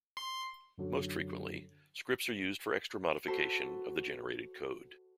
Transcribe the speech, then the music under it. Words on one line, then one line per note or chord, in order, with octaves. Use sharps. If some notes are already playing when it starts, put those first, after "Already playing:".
Most frequently scripts are used for extra modification of the generated code.
C6
F#2 D3 F#3
F#4 A4 B4 C5 A5